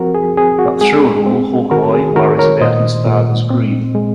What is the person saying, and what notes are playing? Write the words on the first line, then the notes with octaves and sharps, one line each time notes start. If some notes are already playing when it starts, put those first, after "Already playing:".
But through it all Hawkeye worries about his father's grieving.
Already playing: F3 C4 F#4 A#4
G#4
C4 G#4
F#4
G#3 G#4
C4
D#3 F#4 A#4
G#4
D#3 F#4 A#4
A#4 C#5
A#2 C5 D#5
A#2
C4
G#3